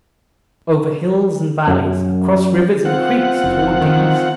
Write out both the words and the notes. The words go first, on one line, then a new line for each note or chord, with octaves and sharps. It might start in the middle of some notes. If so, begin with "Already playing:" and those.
Over hills and valleys, across rivers and creeks, toward the east.
F#2
C4 F4 F#5
F#1
D#3